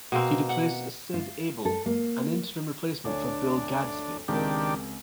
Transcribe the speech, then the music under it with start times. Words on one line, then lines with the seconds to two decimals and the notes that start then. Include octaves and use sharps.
He replaced Sid Abel, an interim replacement for Bill Gadsby.
0.12 B2 A#3 C4
0.49 F#5
1.14 F4
1.65 A4
1.86 A#3
3.05 D2 D4 C#5
4.28 C#2 D#3 C4 D4 G4 A#4